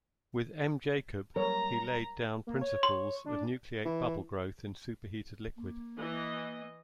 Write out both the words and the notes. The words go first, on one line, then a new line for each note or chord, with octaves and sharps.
With M. Jakob he laid down principles of nucleate bubble growth in superheated liquid.
F#3 G3 A#3 A#4 C#5 A#5
A#3
C#5
C6
D4
E3
A#3
E3 D#5